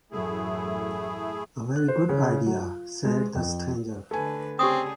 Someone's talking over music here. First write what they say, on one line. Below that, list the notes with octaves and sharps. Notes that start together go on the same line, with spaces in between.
"A very good idea," said the stranger.
A1 F#2 A3 E4 G#4
F#6
C5
C#3
F#3
F4
G#3
F2
D3 A3 B4 G#5
C#3 G3 C4 G4 G#4 D#6